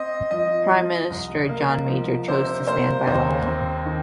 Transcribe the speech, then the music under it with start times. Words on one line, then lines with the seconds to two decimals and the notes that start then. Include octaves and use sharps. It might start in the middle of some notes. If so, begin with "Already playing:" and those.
Prime Minister John Major chose to stand by Lyell.
Already playing: C4 D#5
0.31 F3 D#5
0.71 F3
1.10 C2
1.49 A#3
1.89 F3
2.28 C3 C5
2.67 A#3 C5
3.07 D#2 C5
3.46 C4
3.86 D#3